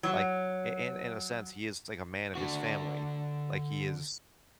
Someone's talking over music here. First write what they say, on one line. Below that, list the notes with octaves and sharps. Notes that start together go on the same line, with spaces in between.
like, in in in a sense, he is, like, a man of his family. Like, he is
F#3
D3 F#4